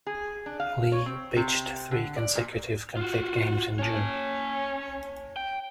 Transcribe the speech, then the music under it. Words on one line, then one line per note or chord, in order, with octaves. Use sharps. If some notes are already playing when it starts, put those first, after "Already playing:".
Lee pitched three consecutive complete games in June.
G#4
D4
F5
C#5
C4
C3
D3
D5
A#2
F4 F#4
C#4 C#5 A5
G5